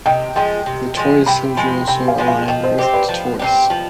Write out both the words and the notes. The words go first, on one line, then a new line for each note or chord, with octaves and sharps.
The Toy Soldier is also aligned with the Toys.
C3 D#5 G5
F3 G#3 D#5 G5
C3
F3 G#3
C3 G5 B5
F3 G#3 G#5 C6
C3 G5 B5
F5 G#5
F3 G#3
F5 G#5
F3 D#5 G5
C5 D#5
C4 D#4 G4 C5
B4 D5
F3
C4 D#4 G4
F3